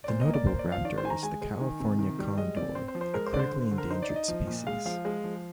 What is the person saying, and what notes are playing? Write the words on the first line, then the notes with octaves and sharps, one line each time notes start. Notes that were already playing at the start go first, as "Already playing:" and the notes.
The notable raptor is the California condor, a critically endangered species.
D5
A#2 C5
D#5
A#3
D5
A#3 C5
D5
F3
F5
D#3 D5
C5
D#3 G#5
A#5
G#3 G#5
G#3
D#3
C3
D#3
G3
G#3 D#5
C4 D5
C4 C5
C5
F3
C5
G#3 A#4
C5
D3 D5
C5
D3
D3
A#4
D#4 C5
D5
D#4
D#5
F3
A#2
G#3 F5
F3 F5
G#3
F3